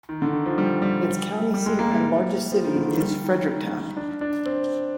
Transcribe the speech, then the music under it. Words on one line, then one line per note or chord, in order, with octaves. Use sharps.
Its county seat and largest city is Fredericktown.
D#3
D3
D#3
F3
G3
G3
G3
G#3
A#3
G3
F3
D#3
D3
D#3
G3
D#3
D#3
D4
D4
C4